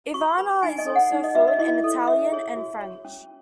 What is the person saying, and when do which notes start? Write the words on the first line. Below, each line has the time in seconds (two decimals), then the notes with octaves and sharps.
Ivana is also fluent in Italian and French.
0.14 F#4 C#6
0.38 B4 B5
0.63 D#4 G#5
0.78 D#5
0.86 A4 C#5
0.95 F#5
1.12 D#4
1.24 D#5
1.35 F#4 B4 E5
1.48 D#5
1.59 E4 D#5
1.84 A4 C#5
2.07 C#4 E5
2.32 G#4 C#5
2.57 F#4
2.80 C#5
3.05 C#4